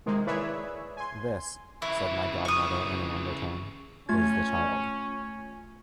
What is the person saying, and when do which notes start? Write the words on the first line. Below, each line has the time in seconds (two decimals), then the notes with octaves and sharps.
"This," said my godmother in an undertone, "is the child."
0.06 C3 D#3 G#3 A#3
0.27 E4 G#4 B4 C#5 D5 E5
0.97 G#5 C6
1.82 C#3 E3 E4
2.45 C#6 D#6
4.09 A3 C#4 F4 G#6